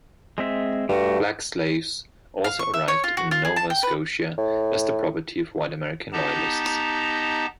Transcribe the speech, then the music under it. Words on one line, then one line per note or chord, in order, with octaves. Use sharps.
Black slaves also arrived in Nova Scotia as the property of White American Loyalists.
G#3 C4 E5
G2 G3 A3 F#4
F5
C#6
E5
C#5
F4
F#4
F4
G#4
A5
G5
B4
A2
B3 D#4 G4 D#5 A5 A#5